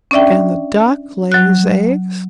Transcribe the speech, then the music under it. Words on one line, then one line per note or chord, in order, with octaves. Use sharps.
And the Duck lays eggs.
C#4 D4 D5 E5 G5
F#3 F#6